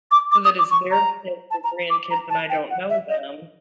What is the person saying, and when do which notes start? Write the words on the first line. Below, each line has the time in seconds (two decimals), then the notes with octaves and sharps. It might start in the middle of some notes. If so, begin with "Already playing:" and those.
so that it's their kids or grandkids, and I don't know them,
0.11 D6
0.32 D6
0.45 D#6
0.59 D6
0.71 C#6
0.91 A#5
1.51 A5
1.64 A#5
1.90 D6
2.11 A#5
2.30 A5
2.50 G5
2.70 F#5
2.90 E5
3.09 D#5